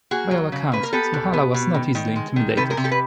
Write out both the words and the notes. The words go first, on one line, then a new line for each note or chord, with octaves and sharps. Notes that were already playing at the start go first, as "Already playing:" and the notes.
By all accounts, Smohalla was not easily intimidated.
A#3 F#4 G#4
F#3
C#3
A#3 B4
A#4
B3 G4 A4
B2
B3
B2
D#3
D#3
G#3
D#3
C3 A4 B4
G#4 A#4
C3
G4 A4
B4